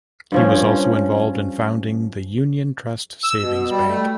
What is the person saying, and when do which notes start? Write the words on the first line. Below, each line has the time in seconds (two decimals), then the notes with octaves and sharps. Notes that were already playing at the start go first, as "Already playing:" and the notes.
He was also involved in founding the Union Trust Savings Bank.
0.32 G2 F3 C#4
3.24 E6
3.41 B2
3.70 G3
3.88 A3